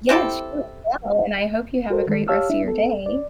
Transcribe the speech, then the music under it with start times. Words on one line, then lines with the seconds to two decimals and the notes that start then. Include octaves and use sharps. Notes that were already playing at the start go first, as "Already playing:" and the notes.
Yes, you as well, and I hope you have a great rest of your day.
0.09 C4 E4 G4 A4
1.90 F#4 A4 A#4 C5
2.07 D#3 G#3 A4
2.28 G4 C#5 F5 A5 E6 F6
2.50 D4 E4 E5
2.64 B3 A4
3.06 D5